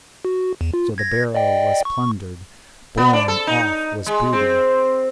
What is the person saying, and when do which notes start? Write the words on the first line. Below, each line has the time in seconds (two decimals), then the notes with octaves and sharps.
So the barrow was plundered, borne off was booty.
0.25 F#4
0.61 E2
0.74 F4
0.98 G#6 A#6
1.35 D5 D#5 G5
1.85 C#6
2.97 B3
3.13 D4
3.28 A4
3.47 D#4
4.06 G#3
4.33 C4